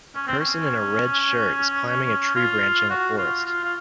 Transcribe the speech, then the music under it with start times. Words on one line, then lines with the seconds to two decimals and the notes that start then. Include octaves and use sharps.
A person in a red shirt is climbing a tree branch in a forrest.
0.15 C#4
0.27 C4
0.39 C#4
2.35 F4
2.90 F#4
3.18 F4
3.45 F4
3.64 F4